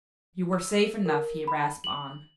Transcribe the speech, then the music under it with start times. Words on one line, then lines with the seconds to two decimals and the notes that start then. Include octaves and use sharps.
"You were safe enough," he rasped on.
0.53 E6
1.06 A#4
1.47 B5
1.84 F#7